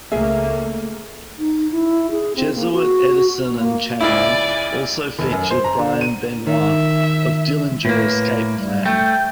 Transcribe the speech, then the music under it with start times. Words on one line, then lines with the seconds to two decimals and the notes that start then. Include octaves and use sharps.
Jesuit, Edison, and Channel also featured Brian Benoit of Dillinger Escape Plan.
0.12 C#2 A3 A#3 G#4 E5
1.39 D#4
1.71 E4
2.11 G#4
2.36 C4
2.55 A#3
2.72 F#4
3.55 A#3
4.01 C#2 E4 D5 G#5
5.19 F1
5.32 F#2
5.51 C5
5.64 A#5
5.79 D3
6.01 D#7
6.47 D#3 E5
7.85 A2 A#3 B4
8.53 G3
8.86 A3 G5